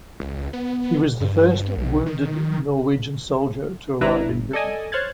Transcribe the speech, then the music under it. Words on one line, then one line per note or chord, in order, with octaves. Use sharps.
He was the first wounded Norwegian soldier to arrive in Britain.
C#2
B3
G2
B1
D#3
G#1 D4 E4 B4 A#5
G1
A4 D5 D#5 G#5 D#6
C5 C#5 F6 F#6 G#6 A6